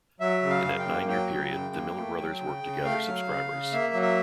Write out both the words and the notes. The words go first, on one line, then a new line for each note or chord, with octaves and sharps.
In that nine-year period, the Miller brothers worked to gather subscribers.
F#3 E5
C#3
F5
F#2
G5
A#3
F#3 G5
C#3
F#2
A#3
A3
F#3
C#3
C#3
A3 F5
F#3
C#3
C#3
A#3 E5
F#3
E5